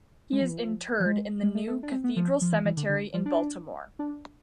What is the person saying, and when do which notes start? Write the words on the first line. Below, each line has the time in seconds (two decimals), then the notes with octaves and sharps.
He is interred in the New Cathedral Cemetery in Baltimore.
0.33 G#3
0.42 F3
0.50 E3
0.57 F3
1.00 F3
1.06 G#3
1.43 G#3
1.55 A3
1.67 A3
1.83 D4
1.92 C4
2.04 B3
2.16 F3
2.42 F3
2.52 E3
2.65 E3
2.77 D3
2.89 D3
3.14 F3
3.26 D4
3.99 D4